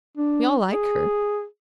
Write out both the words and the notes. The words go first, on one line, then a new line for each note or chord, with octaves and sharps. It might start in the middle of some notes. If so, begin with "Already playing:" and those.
We all like her.
D4
G#4